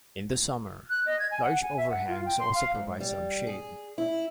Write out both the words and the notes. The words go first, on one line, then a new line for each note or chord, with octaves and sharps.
In the summer, large overhangs also provide some shade.
F#6
D#5
G#6
G#5
F#5
G#5
E5
F#5
F4
G5
C6
F5
G#2
G3
G#4
E4